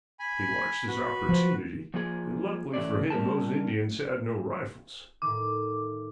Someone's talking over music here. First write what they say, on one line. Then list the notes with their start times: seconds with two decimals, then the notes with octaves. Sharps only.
He watched his opportunity, and luckily for him those Indians had no rifles.
0.19 G#5 B5
0.88 F#4 B4
1.29 F3
1.94 F3 A#3 F4 G#4
2.74 E3 A3 C#4 D5
3.10 G3 C#4 A#4 A5
5.22 A2 D#3 D6